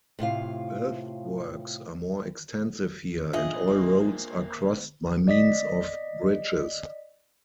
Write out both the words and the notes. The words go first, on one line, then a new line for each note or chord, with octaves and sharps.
Earthworks are more extensive here, and all roads are crossed by means of bridges.
A2 C3 F4 F5
A#2 E3 D4 F4 G#4 D#5 E5
A#3 C4
D5 D#5 B6